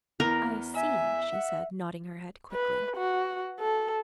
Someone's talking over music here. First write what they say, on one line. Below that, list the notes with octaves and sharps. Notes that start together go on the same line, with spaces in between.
"I see," she said, nodding her head quickly.
E2 A#4
E5 G#5
F#5
B4
F#4
A4